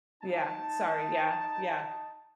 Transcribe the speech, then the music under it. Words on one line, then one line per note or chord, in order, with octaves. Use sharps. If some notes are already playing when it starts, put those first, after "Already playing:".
Yeah. Sorry, yeah, yeah.
D#4 A5